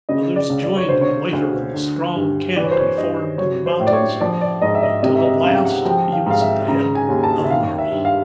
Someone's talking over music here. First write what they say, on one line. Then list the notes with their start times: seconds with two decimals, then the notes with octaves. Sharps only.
Others joined him later in the strong camp he formed in the mountains, until at last he was at the head of an army.
0.09 C#3 D#5
0.36 D5
0.50 C#2
0.63 D5
0.77 C#5
0.89 D3 C5
1.01 C#5
1.33 D2
1.74 D3
2.15 G2
2.56 E3 D5
2.64 C#5
2.71 C5
2.79 C#5
2.97 G2 D#5
3.38 F#3 C#5
3.66 C5
3.80 A2
3.87 D5
3.93 C#5
4.20 F3 D5
4.41 D5
4.62 G#2 D#5
4.75 E5
4.83 D#5
5.03 C3 D#5
5.15 E5
5.24 D#5
5.37 E5
5.44 C#2 F5
5.65 F#5
5.85 F3 G5
6.13 F5
6.26 G#2 F5
6.41 E5
6.68 C#3 A#5
6.95 G#5
7.09 D#2
7.24 A5
7.44 E5
7.50 D#3 F5
7.78 E5
7.91 G2
8.05 F5